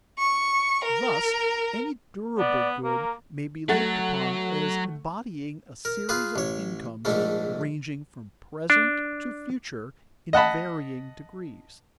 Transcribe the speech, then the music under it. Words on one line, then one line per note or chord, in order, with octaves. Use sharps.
Thus, any durable good may be looked upon as embodying a series of incomes ranging from present to future in varying degrees.
C#6
A#4
B3 D5
A#3 A#4
F#3 A3 F#5 A6
A#4
F4 G#4 B4
A1 C#5
A#1 G#2 A3
D4
D#5 F#5 A5 B5